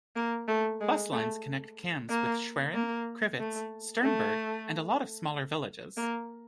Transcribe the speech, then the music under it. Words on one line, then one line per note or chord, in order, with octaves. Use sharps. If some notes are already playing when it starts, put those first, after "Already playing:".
Bus lines connect Cambs with Schwerin, Crivitz, Sternberg and a lot of smaller villages.
A#3
A3
G#3
A3
A#3
A#3
A3
A3
A#3